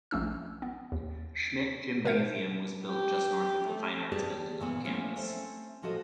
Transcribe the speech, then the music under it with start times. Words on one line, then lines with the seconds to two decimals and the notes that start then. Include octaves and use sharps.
Schmidt Gymnasium was built just north of the fine arts building on campus.
0.11 A#1 A3 C#4 E6
0.62 B3
0.92 D#2
2.05 B2 A#4 C5 E5 G6
2.85 G4
3.67 A3
4.12 G4 G#4 B4 D5 A5
4.60 A#2 E3 B3
4.84 F3 G3 A3 A#3 C#4 E4
5.15 A3 C4 C#4
5.82 A2 F3 F#4 A4 D#5